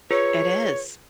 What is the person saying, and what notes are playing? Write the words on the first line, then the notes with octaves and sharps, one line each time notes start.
It is.
F4 G#4 B4 C#5